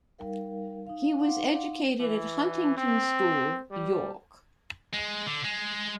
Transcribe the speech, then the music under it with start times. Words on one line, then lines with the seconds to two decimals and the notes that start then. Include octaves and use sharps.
He was educated at Huntington School, York.
0.19 G3 D#4 A#4 F5
0.87 D#4 F5
1.19 D#4 F5 F#5 C6 D6
2.00 E3
2.77 C4
3.71 G3
4.94 G#3
5.26 D3
5.44 G#3